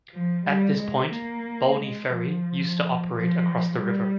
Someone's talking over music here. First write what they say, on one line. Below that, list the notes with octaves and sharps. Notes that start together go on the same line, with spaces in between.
At this point, Bolney Ferry used to operate across the river.
F3
G3
G#3
A#3
G#3
F3
F3
G3